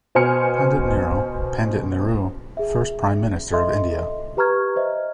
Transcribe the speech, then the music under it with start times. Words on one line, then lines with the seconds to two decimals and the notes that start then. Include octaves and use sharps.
Pundit Nero - Pandit Nehru, first Prime Minister of India.
0.15 B2 C5 G#5 F6 C#7
2.57 G#4 E5
3.53 A4 D#5 E5 C6
4.37 G4 B4 A#5 C#6 F6 G#6
4.76 C5 D#5 E5